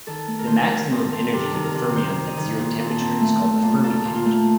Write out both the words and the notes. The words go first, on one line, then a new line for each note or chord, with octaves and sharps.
The maximum energy of the fermions at zero temperature is called the Fermi energy.
D#3 A4
A3
A#4
D#3 C5
A#4
D#3 A#4
C4
A4
C4
C3 A4
D#3
A#4
C3
D#3 C5
D#3
D#5
D#3
A#2
A#2
A4
C4
A3
A3
A#2
A#2 A4
A#2
F4
A3